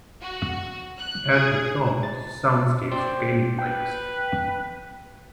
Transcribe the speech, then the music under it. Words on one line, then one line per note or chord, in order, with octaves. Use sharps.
Add the song to the soundscapes for gaming playlist.
F#4
F#6
G#4
A6
C5 D5 G5 C6
B4 G5